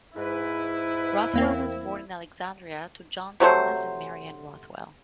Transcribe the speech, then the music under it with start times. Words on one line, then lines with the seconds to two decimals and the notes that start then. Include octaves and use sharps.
Rothwell was born in Alexandria to John Thomas and Mary Ann Rothwell.
0.16 G#2 E4 B4
1.34 E2 A#3 C4
3.40 C3 F#3 A3 C5